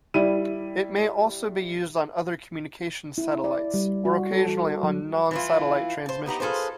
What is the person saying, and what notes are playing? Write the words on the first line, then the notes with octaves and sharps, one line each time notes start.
It may also be used on other communications satellites, or occasionally on non-satellite transmissions.
G3 E4 D#7
E4
D5
G3
F#4
A4
F#4
F#3
E3 E4 F4
C5 A5
B3 D#4 G4 A#5
F4 G#4 A4 B4 C5